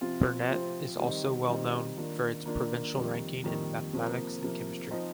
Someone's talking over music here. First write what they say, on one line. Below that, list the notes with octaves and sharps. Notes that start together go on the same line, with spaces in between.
Burnett is also well known for its provincial ranking in mathematics and chemistry.
C3 F3 C4 F4
C3 F3 C4 F4
D#3 G3 C4 D#4
D#3 G3 C4 D#4
D#3 A#3 D4 F4
D#3 A#3 D4 F4
F2 D#3 G3 A#3
F2 D#3 G3 A#3
C3 F3 A#3
C3 F3 A#3
F3 C4 D#4